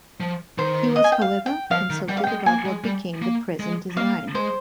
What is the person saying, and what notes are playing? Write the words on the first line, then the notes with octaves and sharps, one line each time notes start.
He was however consulted about what became the present design.
F3
D#3 C5
D#5
G#5
G5
F5
G5
F3 F5
D#3
G3 G5
F5
G#3 G5
A#3 G#5
G#3
G3
A#3
G#3
A#3 F5
G#3 C5